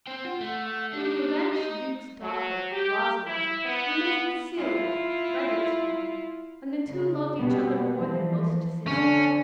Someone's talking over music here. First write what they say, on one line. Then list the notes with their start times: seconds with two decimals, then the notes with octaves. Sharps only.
The banished Duke's daughter, Rosalind, remained with Celia, Frederick's daughter, and the two loved each other more than most sisters.
0.07 C4 C5 G5
0.25 F4 F#5
0.41 A3
0.93 D4 D#4 G4
1.53 D#5 A5 A#5
2.21 F#3
2.72 G4
3.26 E4
3.65 B3
4.57 E4 F4
6.91 C#3
7.36 B2 G3 B3
7.96 E3 F3
8.87 D3 C#4 D4